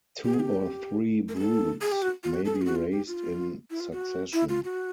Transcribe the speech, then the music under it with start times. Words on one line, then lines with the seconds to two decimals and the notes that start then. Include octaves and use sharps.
Two or three broods may be raised in succession.
0.25 G4
0.34 G#4
0.40 G4
1.29 A#4
1.35 G#4
1.39 A4
1.81 G#4
1.92 G4
2.02 F#4
2.24 F4
2.34 F#4
2.45 A4
2.55 G#4
2.62 F4
2.66 F#4
2.75 F4
2.91 G4
3.08 F4
3.70 E4
3.80 F4
3.92 F#4
4.33 E4
4.49 F4
4.64 F#4